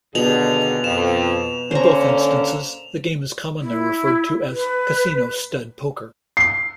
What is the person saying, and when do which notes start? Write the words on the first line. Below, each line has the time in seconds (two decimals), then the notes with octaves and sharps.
In both instances, the game is commonly referred to as "Casino Stud Poker".
0.15 D#2 B2 D3 G#4 F7 F#7
0.84 F2 E7
1.71 D3 A#3 C#4 C5 A#5
3.61 E4
4.54 B4
6.37 C7